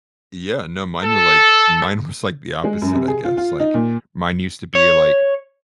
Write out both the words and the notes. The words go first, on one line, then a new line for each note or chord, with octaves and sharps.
Yeah, no, mine were like mine was like the opposite, I guess. Like, mine used to be, like,
A4
G#3
F#2
C3
G#4
F4
F4
D#4
A#2
C#5